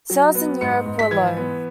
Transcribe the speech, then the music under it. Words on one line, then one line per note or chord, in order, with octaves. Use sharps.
Sales in Europe were low.
F#3
B3
G#2 C#7
G#2
B6
E3 G#6
B3